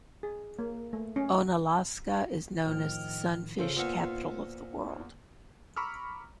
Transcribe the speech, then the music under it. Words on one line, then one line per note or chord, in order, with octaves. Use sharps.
Onalaska is known as The Sunfish Capital of the World.
G#4
A#3
A3
C#4
A2 D#3 F3 D#5 G5 F6
G#2 C#3 F4 A4 C5 E6
A#2 B3 C5 C#6 E6 F6
E2
A#5 B5 C#6 D6 E6 F6